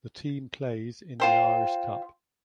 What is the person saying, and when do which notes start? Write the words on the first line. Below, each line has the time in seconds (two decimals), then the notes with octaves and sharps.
The team plays in the Irish Cup.
1.20 F4 C5 G5